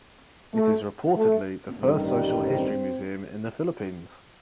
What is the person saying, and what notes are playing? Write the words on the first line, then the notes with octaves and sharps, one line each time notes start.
It is reportedly the first social history museum in the Philippines.
A3
A3
A1 G2 D#3 G3 A3
C4